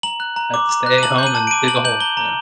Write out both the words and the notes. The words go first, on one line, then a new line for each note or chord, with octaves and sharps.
I have to stay at home and dig a hole," you know.
A#5 F#7
F#6
A#5
D6
A#5
F#6
D#7
A5 F#7
G6 F#7
D#7
A5
D7
D6 D#7
A5 F#7
G6 F#7
A#5 G7
A#5